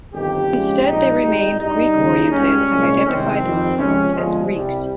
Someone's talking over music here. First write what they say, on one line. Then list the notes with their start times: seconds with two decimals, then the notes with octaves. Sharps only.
Instead they remained Greek-oriented and identified themselves as Greeks.
0.12 G1 F2 D#3 G4
0.48 F2 C#3 G#3
0.85 A#1 G#2 G3 D#4
1.22 G#1 G#2 D#3 G3
1.58 G2 G3 D#4
1.95 D#2 C#3 G3
2.31 C#2 C#3 G3 C#4
2.68 C2 A#2 G#3
3.04 C2 C3 D#3 G#3 C4
3.41 F2 D#3 G3
3.78 C#2 C3 F3 C#4
4.14 G1 G2 F3 G#3
4.50 C2 C3 G3